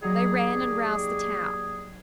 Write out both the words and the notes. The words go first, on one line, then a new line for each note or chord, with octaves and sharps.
They ran and roused the town.
F#3 G3 A#3 D#4 G#4